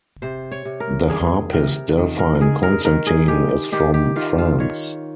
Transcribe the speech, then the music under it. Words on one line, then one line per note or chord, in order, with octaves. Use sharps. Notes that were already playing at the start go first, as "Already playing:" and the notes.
The harpist Delphine Constantin is from France.
C3 C5
C#5
C3
A#4
G3 G#4
C3 A#4
D#3
A#4
G#3 G#4
A#4
D#3 A#4
G#4
G#3 G4
D#3 G4
G4
D#3 F4
F4
D#3 C#5